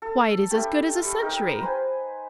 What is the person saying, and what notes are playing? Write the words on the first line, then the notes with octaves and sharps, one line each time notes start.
Why, it is as good as a century!
A4
G3 A3 D4 G4
G3
D#4 A#4 G5
B4 C5 G#5